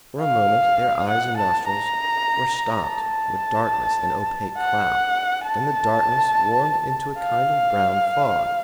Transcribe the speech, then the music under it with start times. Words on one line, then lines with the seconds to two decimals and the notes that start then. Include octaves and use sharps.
For a moment their eyes and nostrils were stopped with darkness and opaque cloud; then the darkness warmed into a kind of brown fog.
0.22 F5
1.09 F#5
1.37 A5
1.67 A#5
2.83 A5
4.59 F#5
5.45 A5
7.21 F5